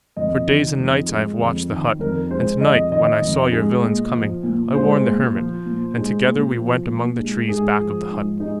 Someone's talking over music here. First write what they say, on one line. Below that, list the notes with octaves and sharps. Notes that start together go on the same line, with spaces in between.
For days and nights I have watched the hut, and tonight, when I saw your villains coming, I warned the hermit, and together we went among the trees back of the hut.
F2 D#5
D#3
F2
G#3
F2
D#3
F2 A#4
G#3 C5
F2 D#5
D#3 D#5
F2
G#3
A#2
F3
A#2
G#3 C5
A#2
F3
A#2
G#3
A#2
F3
A#2
G#3
G#2 G#4
F3
G#2
G#3 D#4